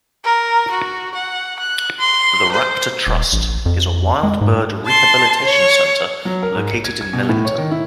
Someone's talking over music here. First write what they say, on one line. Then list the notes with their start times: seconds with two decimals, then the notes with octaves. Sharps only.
The Raptor Trust is a wild bird rehabilitation center located in Millington.
0.24 A#4
0.71 F#4
1.14 F#5
1.59 F#6
1.99 C6
2.52 C5
3.07 D#1
3.33 A1
3.66 F2
4.23 G#3
4.41 G#2
4.86 A5 C6
5.45 C#5
6.25 F#3
6.42 A#4
6.55 G#2
6.71 C#7
6.84 G#6
7.01 G#6
7.13 B2
7.29 A2
7.45 C#5
7.58 D#3
7.71 E4